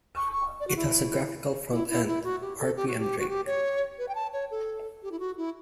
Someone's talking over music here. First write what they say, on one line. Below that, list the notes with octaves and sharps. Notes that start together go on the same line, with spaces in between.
It has a graphical front-end: Rpmdrake.
C#6
C#6
D5
F#4
E4
E4
E4
E4
F#4
G4
A4
G4
F#4
G4
F#4
G4
C#5
B4
G5
A5
C#5
A4
G4
E4
F#4
E4